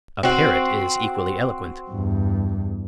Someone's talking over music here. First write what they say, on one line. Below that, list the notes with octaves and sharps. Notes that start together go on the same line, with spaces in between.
A parrot is equally eloquent.
C4 F#4
E2 G2